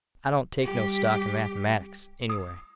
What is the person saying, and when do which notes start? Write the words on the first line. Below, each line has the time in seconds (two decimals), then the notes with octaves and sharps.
I don't take no stock in mathematics, anyway.
0.63 G3 G4
2.30 D#6